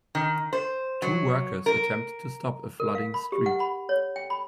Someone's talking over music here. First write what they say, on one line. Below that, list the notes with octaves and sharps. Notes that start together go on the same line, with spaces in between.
Two workers attempt to stop a flooding street.
D#3
C5
F#3
A#4
A#4
F5
B5
G4
F#5
B5
C#5
G5
B5